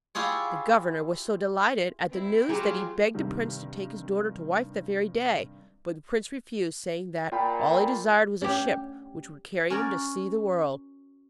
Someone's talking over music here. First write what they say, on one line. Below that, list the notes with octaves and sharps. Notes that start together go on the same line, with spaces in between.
The governor was so delighted at the news that he begged the prince to take his daughter to wife that very day; but the prince refused, saying that all he desired was a ship which would carry him to see the world.
E4 F4 G4 G#4 C#5
C4 E4
F#3 F4 G4 G#4
G2 C3 D#3 G3
A#2 F4 G5 B5
C#4 G4
C#4 F#4 A#4 C#5 D5